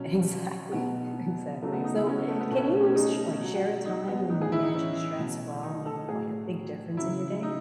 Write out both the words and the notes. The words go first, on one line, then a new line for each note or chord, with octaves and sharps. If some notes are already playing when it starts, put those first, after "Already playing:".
Exactly, exactly. So, can you sh like, share a time when managing stress well made, like, a big difference in your day?
Already playing: B2 F#3 C#4
B2 F#3 B3
C#3 F#3 A3
B3
D#4
E4
C#4
B3
A3
B3
B2 F#3 A3
C#4
B3
C#4
C#4
D#4
B2 F#3
F#4
D#4
B3
A2 E3 D#4
G#4
E4
D#4
C#4
B2 F#3
D#4
A4
A2 F#3 G#4
C#3 F#3 E4
D#4